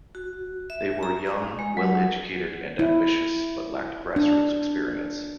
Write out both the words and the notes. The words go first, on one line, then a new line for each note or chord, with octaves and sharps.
They were young, well-educated and ambitious but lacked grassroots experience.
F#4
E5
A#5
G#3
F#3
E4
D4